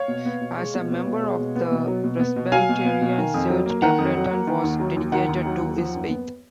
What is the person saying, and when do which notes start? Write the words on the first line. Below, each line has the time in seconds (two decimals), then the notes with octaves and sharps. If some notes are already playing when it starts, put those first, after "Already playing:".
As a member of the Presbyterian Church, Templeton was dedicated to his faith.
Already playing: C#5 F5
0.08 B2
0.25 B3
0.41 B2
0.57 G#3
0.74 B2
0.90 B3
1.06 B2
1.22 G#3
1.38 B2
1.55 B3
1.71 B2
1.87 F#3
2.04 B2
2.19 B3
2.36 B2
2.52 F#3 F5 G#5
2.69 B2
2.85 B3
3.01 B2
3.18 D#3
3.34 F2
3.50 F#3
3.66 A#3
3.82 D#3 F#5 A#5
3.98 F2
4.16 F#3
4.31 A#3
4.47 D#3
4.64 D#2
4.80 F#3
4.96 D#2
5.12 D#3 F#5 A#5
5.29 D#2
5.46 F#3
5.61 D#2
5.78 F3
5.94 F#2
6.10 B3